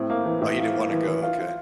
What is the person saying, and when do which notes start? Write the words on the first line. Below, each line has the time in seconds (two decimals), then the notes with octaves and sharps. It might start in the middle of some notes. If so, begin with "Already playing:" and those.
Oh, he didn't wanna go, okay.
Already playing: A2 C4
0.10 A#3
0.25 E3
0.41 A2
0.58 F4
0.73 A#3
0.90 E3
1.06 E3
1.23 F4
1.38 F4